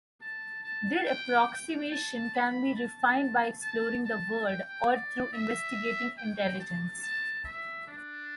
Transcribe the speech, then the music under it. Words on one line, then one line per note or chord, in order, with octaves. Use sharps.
Their approximation can be refined by exploring the world or through investigating intelligence.
A5
A5
G5
G5
A5
B5
A5
A5
A5
G5
D5
E5
G5
A5
A5
E5
D4